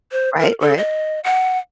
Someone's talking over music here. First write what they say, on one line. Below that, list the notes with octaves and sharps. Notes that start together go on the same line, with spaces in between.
Right, right.
C5
A#4
A4
D#5
F#5